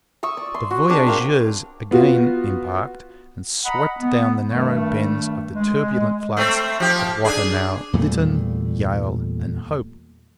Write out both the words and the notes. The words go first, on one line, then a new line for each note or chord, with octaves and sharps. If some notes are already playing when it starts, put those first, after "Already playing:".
The voyageurs again embarked, and swept down the narrow bends of the turbulent floods at what are now Lytton, Yale, and Hope.
C#6 D#6 E6
D5
C6
F#4
C4 D4 G#4
A#4 F5 G5
B3 F4 F#4
D#5 F#5 A#5 B5
B3
G2 D#3 G3 A3
G#3
A3 C4
F3 G4
D4 G#4
E2 A#2 G3 A3